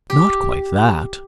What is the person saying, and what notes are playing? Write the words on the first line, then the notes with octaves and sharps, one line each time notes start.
"Not quite that!"
G4